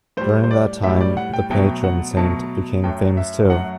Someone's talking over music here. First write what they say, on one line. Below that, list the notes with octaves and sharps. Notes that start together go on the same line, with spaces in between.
During that time the patron saint became famous too.
A2 G3 C5
C5
D5
A2 G3 E5
D5
F#5
G5
B2 F#3 A3 G5
F#5
B2 F#3 A3 A5
F#2 F#3 A3 G5
E5
F#2 F#3 A3 F#5